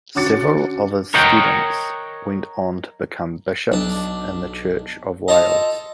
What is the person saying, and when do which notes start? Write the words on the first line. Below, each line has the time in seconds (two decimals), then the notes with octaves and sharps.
Several of his students went on to become bishops in the Church in Wales.
0.15 D3 C#4 F#4 D6 A6 C#7
1.14 A#4 C#5 D#5 F#5 G5 A#5
3.72 B1 D4
5.28 F4 A4 C5 D#5